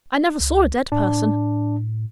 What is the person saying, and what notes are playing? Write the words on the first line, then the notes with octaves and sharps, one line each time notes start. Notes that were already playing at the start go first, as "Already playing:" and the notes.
'I never saw a dead person.
C#2
A2 D4